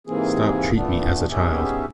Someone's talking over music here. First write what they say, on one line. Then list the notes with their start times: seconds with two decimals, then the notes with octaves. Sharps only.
Stop treat me as a child.
0.07 G#2 C3 E3 A#3 C4 G#4
0.75 A#2 E3 A3 B3 D4
1.30 B3 C#4 D#4 G4 G#4 E5